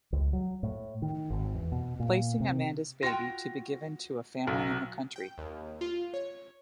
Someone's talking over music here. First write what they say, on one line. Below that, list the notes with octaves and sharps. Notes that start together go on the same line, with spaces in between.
Placing Amanda's baby to be given to a family in the country.
C#2
F#3
A2
D#3
G#1
E2
B2
A#2
C3
F4 F#4 G5 A#6
B1 F#3
G5
D#2
F4
C#5